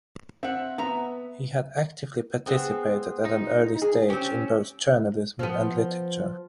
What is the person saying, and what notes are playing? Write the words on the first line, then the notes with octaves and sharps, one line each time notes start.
He had actively participated at an early stage in both journalism and literature.
C4 E5 F#5
B3 E5 A#5
B3 C4 G#4
D#4
G#4
C4 C#4 G4
F3 B3